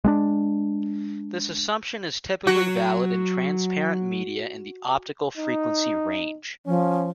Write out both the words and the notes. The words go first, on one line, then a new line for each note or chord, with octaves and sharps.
This assumption is typically valid in transparent media in the optical frequency range.
G#3 B3 D4
F#3 F#4
D#4
F3 C#4